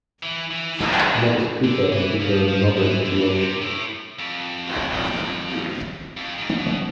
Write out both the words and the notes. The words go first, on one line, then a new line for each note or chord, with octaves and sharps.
Motor scooter is another easy option.
E3
E3
D3
E3
D3
E3
F3
F3
E3
D3
E3
D3
C3
A2
F2
F2
G#2
B2